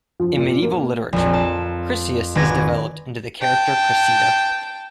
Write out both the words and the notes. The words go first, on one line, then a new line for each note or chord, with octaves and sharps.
In medieval literature, Chryseis is developed into the character Cressida.
F3
A#2
A#3
A#1 F2
A5
G#1 D4 B4 G#6 A#6
G5 A5